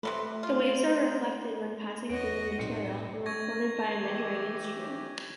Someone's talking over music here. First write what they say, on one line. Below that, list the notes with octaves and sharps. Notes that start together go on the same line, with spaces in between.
The waves are reflected when passing through the material and recorded by a measuring instrument.
C3 F#3 A3 B4
F4
E2 F#4 B4 C#5 D#5 A#6 D7
B1 A2 G3 C4 C#7
C#6 G#6 A#6
E3 G4